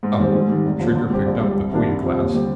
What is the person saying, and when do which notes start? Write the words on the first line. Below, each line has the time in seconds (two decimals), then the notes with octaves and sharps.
"Oh?" Trigger picked up the Puya glass.
0.03 G#2
0.18 D#3 G3 C4
0.34 G#2
0.49 D#3 G3
0.65 F1
0.79 D#2 D3 F3
0.95 D3
1.10 G3 C4 G4
1.26 A#1
1.41 G#2 G3
1.56 C2
1.72 C3 D#3 A#3 D4
1.87 C2
2.03 C3 F3 C4 G4
2.18 D#2
2.33 D3 G3 C4 G4